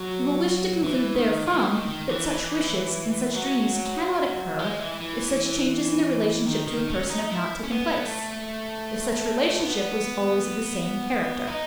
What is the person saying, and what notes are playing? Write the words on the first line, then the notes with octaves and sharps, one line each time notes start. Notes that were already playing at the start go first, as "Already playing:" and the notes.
You will wish to conclude therefrom that such wishes and such dreams cannot occur if such changes in the relationship to a person have not taken place; if such relationship was always of the same character.
Already playing: F#3
E3
D#3
E3
D#3
D#3
E3
F#3
G#3
E3
E3
D#3
D#3
C#4
D#4
E4
C#4
B3
A3
B3
D#4